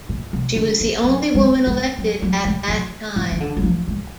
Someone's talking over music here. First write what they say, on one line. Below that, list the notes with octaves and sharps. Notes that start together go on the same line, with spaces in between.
She was the only woman elected at that time.
A#2
B2
D3
D#3
F#3
G#3
G#3
F#3
F#3
G#3
F#3
F3
D#3
D3
F#3
F3
G#3